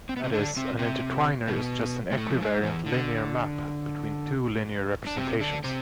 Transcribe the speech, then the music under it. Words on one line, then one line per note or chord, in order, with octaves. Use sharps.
That is, an intertwiner is just an equivariant linear map between two linear representations.
C4
B3
C3 C4
D3 D4
C3 C4
C3 C4
B2 B3
G#3
A2 A3
F3
G#2 G#3
E2 E3
D3
D4
C3 C4
D3 D4
C3 C4